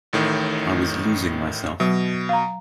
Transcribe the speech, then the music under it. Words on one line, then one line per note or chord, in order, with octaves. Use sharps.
I was losing myself.
A1 A2 D#3
B2 F#3
F5 A#5